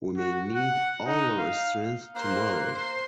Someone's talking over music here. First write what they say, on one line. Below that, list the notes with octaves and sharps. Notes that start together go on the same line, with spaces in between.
We may need all our strength tomorrow.
F#4
F#5
D#4
F5
A#3 A#4 C5 C6 F#6
C5 C6 C7